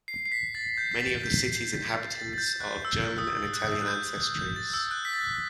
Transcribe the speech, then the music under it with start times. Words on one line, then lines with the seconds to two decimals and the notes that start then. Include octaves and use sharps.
Many of the city's inhabitants are of German and Italian ancestries.
0.08 C7
0.26 C7
0.32 B6
0.55 A6
0.77 G6
0.92 B6
1.00 A6
1.24 G6
2.15 A6
2.33 A6
2.38 G6
2.60 F#6
2.85 E6
3.18 D#6
3.53 F#6
3.82 F#6
3.87 G6
4.39 G6
4.56 A6
4.73 E6
4.91 F#6
5.05 B6
5.13 A6